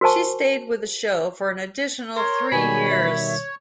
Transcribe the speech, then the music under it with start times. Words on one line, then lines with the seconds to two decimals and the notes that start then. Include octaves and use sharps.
She stayed with the show for an additional three years.
0.01 F#4 A#4 C5 G#5 A5 C#6
2.16 A#4 C#5 C6
2.52 B2 D#3 G3 G#5 B5
2.90 E5